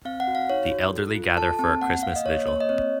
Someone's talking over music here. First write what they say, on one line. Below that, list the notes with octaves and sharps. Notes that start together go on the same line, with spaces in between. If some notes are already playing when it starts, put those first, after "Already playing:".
The elderly gather for a Christmas vigil.
C4 F5
F#5
F#4
F5
D#4 C#5
F#4
A4
F4
A4 A5
C4 A5
A#3 F#5
A#3 F5
D#5
A#3 C#5
A#3 C#5
D#5
C4 C#5